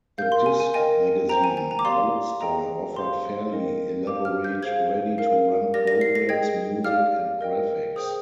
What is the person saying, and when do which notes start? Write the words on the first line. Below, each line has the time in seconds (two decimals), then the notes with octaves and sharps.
The disk magazine "Loadstar" offered fairly elaborate ready-to-run programs, music, and graphics.
0.18 F5 G6
0.22 A#4
0.32 C6
0.46 G#5
0.60 G#5
0.74 A#4 D#5 G5 G#5
1.29 C5 G5 A#5
1.44 G#5
1.57 G#5
1.71 A#5
1.79 D6
1.85 G4 D5 F5 C6
2.41 G#4 D#5 G5 A#5
2.96 G4 C5 F5 C6
3.52 A#4 D#5 G5
4.07 G4 C5 F5 D6
4.25 F6
4.44 G6
4.63 G#4 C5 F5 G#6
5.18 A#4 F5
5.74 G4 A#4 D5 A#6
5.87 A#6
6.01 C7
6.15 A#6
6.29 G#4 D#5 G5 G#6
6.84 G4 D5 F5 F6
7.41 A#4 D#5 G5
7.96 G#4 C5 G5 D#6